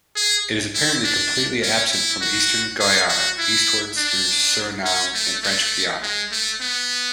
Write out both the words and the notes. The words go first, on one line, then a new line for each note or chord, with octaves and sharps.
It is apparently completely absent from eastern Guyana eastwards through Suriname and French Guyana.
G#4
E4
D4
C#4
E4
F#4
G#4
F#4
E4
D4
C#4
A3
A3
G#3
A3
B3